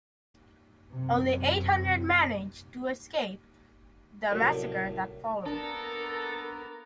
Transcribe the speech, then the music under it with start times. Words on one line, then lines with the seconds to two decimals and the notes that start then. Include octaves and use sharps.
Only eight hundred managed to escape the massacre that followed.
0.92 F#2 C3
4.31 C2 F#2 A2
5.46 A#3 B3 D4 A4 A#4 A#5